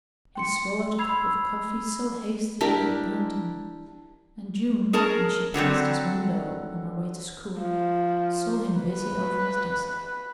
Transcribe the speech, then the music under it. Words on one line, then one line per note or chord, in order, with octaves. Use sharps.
He swallowed a cup of coffee so hastily that it burned him, and June, when she passed his window on her way to school, saw him busy over his desk.
G5 C6 C#7
B5 E6 G#6 C7 F7
D4 E4 G4 A#4
G#4 A#4 C#5 A5
D3 F#3 G3 C4
F3
B4